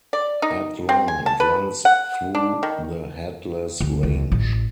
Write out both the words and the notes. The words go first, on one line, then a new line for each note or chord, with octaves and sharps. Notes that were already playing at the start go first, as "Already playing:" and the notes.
At long, it runs through the Headless Range.
D5
D#4
C4
G#5
A5
B4
F#5
D4
D#3
D2
C#2
A1